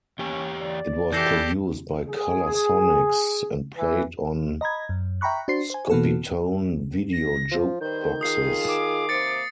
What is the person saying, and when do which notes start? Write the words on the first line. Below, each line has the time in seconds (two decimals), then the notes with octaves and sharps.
It was produced by Color-Sonics, and played on Scopitone video jukeboxes.
0.19 E2 C#4 G4 C#5
0.62 D5
1.13 E3 G4 A4 G6 A#6 C7
2.09 G#4
3.76 E3
4.61 D#5 A#5 B5 G#6
4.89 F#2
5.21 E5 G5 A#5 B5 C#6 F#6
5.48 D4 F#4 C5 C6 C7
5.70 C5 G#5
5.90 B2 E3 A#3 B3 F#4 A4
7.13 A#6
7.51 F3
7.81 D#3 G3 B4 C5 G6
8.21 F4 G#4 D#6 C7
8.68 D6
9.09 C3 A#3 C5 A6 C#7